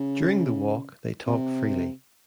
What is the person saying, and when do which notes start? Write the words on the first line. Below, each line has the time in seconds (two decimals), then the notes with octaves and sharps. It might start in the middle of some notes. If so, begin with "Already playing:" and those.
During the walk they talk freely.
Already playing: C#3
1.26 C3